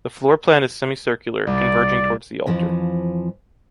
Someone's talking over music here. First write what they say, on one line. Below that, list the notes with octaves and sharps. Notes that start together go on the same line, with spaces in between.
The floor plan is semicircular, converging towards the altar.
C2 D5
F2 E3 F3